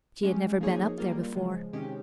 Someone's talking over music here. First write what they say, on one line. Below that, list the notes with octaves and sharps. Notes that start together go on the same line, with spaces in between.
She had never been up there before.
G#3 C#4 G4
F3 A#3 D#4 G#4 C#5
G3 A#3 F4
C#3 F3 G#3
C3 D#3 G#3 C#4 G4